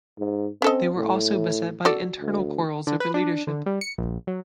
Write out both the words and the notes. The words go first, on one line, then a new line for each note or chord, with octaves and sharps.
They were also beset by internal quarrels over leadership.
G#2
C4 C#4 A4 D#5
A2
F#4 A4 D5
D2
D3
B4
D4
D3
G3
C#7
A#1
F#3